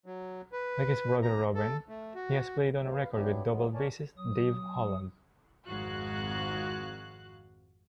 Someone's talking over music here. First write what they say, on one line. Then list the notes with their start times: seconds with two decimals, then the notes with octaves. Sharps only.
Like his brother Robin, he has played on record with double bassist Dave Holland.
0.06 F#3
0.52 B4
1.23 A#5
1.55 A4
1.89 A3
2.15 F#4
2.79 C3 D#3 F#3 G#3 A3
2.91 B4 F5
3.13 F#3 B3 D4 E4 G4
3.49 E3 F#3 G#3 B3
3.74 A#4 C#5 D5 G#5 A5
4.17 F#3 D#6
5.66 G#1 F2 G#2 F#4 F5 F#6